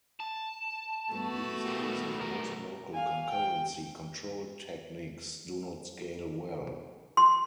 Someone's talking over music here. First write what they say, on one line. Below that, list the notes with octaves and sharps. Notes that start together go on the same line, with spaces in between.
In these cases most local concurrency control techniques do not scale well.
A5
A3 B3 F#4
A#2 G3
B1 A#4
F5 G#5
G5
C6